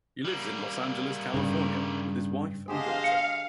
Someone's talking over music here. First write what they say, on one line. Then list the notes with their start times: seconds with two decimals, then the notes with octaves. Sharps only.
He lives in Los Angeles, California with his wife and daughter.
0.25 G3 A#3
1.34 G2 C#3
2.68 D3 G#3 G4 G#4 C5 D#5 F5
3.04 C#7